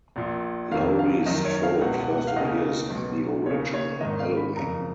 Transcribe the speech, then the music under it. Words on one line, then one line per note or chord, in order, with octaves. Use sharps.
Laurie Strode first appears in the original "Halloween".
A#1 A#2
F1 F2 D#3 F5
F5
F#1 F#2 D#3 D#5
C#5
F5
C#2 B2 F#5
F#5
F#5
F5
D#2 C#3 D#5
F5
B1 B2
D#2 C#3 C#5
C#5
G#1 G#2 D#3 D#5
F5
B5
F#1 F2 C#3 A#5